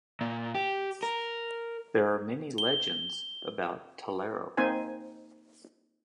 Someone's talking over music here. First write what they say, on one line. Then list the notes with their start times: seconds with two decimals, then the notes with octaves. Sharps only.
There are many legends about Tellaro.
0.21 A#2
0.54 G4
1.03 A#4
2.58 G7
4.57 A#3 C4 D#4 C5 G#5